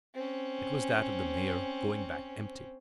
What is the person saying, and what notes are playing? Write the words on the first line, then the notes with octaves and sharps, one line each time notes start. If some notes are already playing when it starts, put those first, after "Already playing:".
It was that of the mayor, going back empty.
C4 C#4